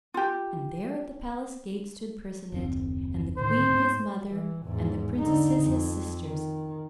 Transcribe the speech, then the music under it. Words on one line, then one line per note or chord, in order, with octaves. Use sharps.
And there, at the palace-gate, stood Percinet, and the queen, his mother, and the princesses, his sisters.
F4 G4
F#1 D#2 C4
D2 A2 D#3 C5
G#2 B3
E3
E2 G#2
D3 D#4
F2
D#3